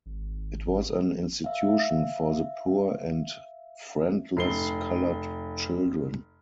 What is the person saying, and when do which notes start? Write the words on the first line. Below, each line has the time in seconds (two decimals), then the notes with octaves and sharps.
It was an institution for the poor and friendless colored children.
0.06 G#1
1.44 E5 F5
4.37 F1 C7 G7